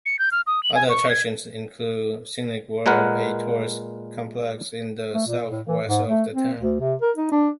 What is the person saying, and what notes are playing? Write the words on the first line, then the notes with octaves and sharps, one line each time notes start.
Other attractions include Scenic World, a tourist complex in the southwest of the town.
C#7
G6
F6
D#6
F#7
G#5
C#6
G#6
A#2 G#3 A#4 B4 F#5
A3
A#2
A2
E3
G#2
A3
C4
D2
C3
A#4
D#4
D4